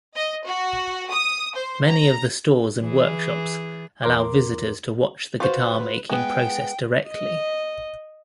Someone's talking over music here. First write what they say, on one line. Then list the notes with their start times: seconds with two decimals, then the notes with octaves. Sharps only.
Many of the stores and workshops allow visitors to watch the guitar-making process directly.
0.15 D#5
0.45 F#4
1.10 D#6
1.55 C5
1.88 A#5
2.83 E3 G#4
4.03 E2 A#4 C6 D6
5.40 F4 F#4 B4 C5
6.10 G#3 B3 G5
7.10 D#5